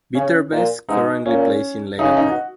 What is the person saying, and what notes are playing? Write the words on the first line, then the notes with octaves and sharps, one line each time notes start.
Viterbese currently plays in Lega Pro.
C#3 C#4
A#2
G#2 D#4
A#2 C#4
C#3 D#4
D#4
F#4